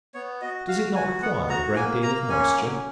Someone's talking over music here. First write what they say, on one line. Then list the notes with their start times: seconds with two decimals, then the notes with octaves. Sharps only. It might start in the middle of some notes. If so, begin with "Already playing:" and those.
Does it not require a great deal of moisture?
0.14 B3 C#5
0.42 F#4 D#5
0.68 F#4 F5
0.95 F#4 G#5
1.22 B3 F#5
1.49 F#4 A#5
1.76 A#3 G#5
2.03 A#3 A#5
2.30 C#4 G#5
2.57 F#3